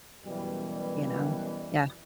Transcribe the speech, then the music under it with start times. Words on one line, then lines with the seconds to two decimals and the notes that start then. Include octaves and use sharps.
you know? Yeah.
0.25 F#2 B2 E3 G3